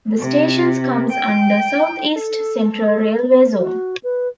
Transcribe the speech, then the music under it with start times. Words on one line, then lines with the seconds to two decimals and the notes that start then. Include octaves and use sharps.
The stations comes under South East Central Railway Zone.
0.19 C3
1.13 G5
2.16 A4
3.60 F#4
4.03 B4